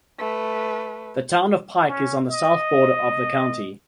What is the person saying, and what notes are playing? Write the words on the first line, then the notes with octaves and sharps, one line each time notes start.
The Town of Pike is on the south border of the county.
A3 B4
C#4
D#5